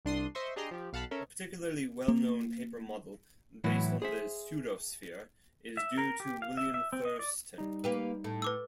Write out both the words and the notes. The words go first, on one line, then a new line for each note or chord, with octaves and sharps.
A particularly well-known paper model based on the pseudosphere is due to William Thurston.
C2 D4 C6 D#6
C5 D#5 E5 C6 C#6
D4 G4 G#4 D#5 A#5 C6
F3 G4
B1 F5 F#5 A5 B5
C#4 A4 A#4 E5
A#3
A2 E3 F#3 E4 F#4
G#4 C5 E5
E5
A#4
G4
F5
E5
E5
C4
D#5
D5
G3 D#4
A#3 G4 B4
A2
B4 D6 E6